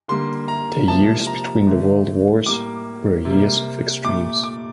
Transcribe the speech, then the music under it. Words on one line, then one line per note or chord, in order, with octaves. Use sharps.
The years between the World Wars were years of extremes.
D3 G3 A#3 C6
A#5
C3 F3 A#3 A5
A#5
D3 A3
A2 G3 A#3 D6
C3 G3 A#3
A#2 A3 D6
D6